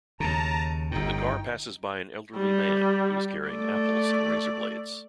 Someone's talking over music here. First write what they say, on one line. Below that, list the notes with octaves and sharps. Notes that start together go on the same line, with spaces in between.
The car passes by an elderly man who is carrying apples and razor blades.
D#2 C#3 A5 A#5
G1 A2 D#4 G5
G3
A3 D5